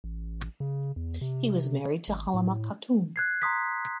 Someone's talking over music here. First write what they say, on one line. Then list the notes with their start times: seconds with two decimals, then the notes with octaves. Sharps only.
He was married to Halima Khatun.
0.04 A1
0.60 C#3
0.96 E2
1.21 C3
2.08 G#1
2.34 A2
3.16 F#6 G#6 C7
3.42 A#5 C6 D#6 B6